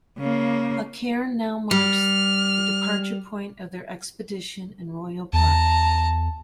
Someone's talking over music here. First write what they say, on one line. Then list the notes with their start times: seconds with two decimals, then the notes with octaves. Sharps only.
A cairn now marks the departure point of their expedition in Royal Park.
0.18 C#3 A#3
1.71 G3 F6
5.33 E2 A5 A#5